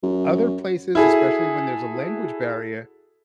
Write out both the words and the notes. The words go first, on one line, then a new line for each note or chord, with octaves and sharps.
other places, especially when there's a language barrier,
F#2
E4 F#4 G#4 A4